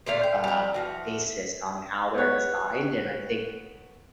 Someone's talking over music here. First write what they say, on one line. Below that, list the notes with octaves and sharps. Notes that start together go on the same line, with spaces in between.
uh, basis on how they're designed and I think
A#2 D3 A3 F5
G5
G3 A#5
E3 F3 F#4
B3 B4 C#5 F#6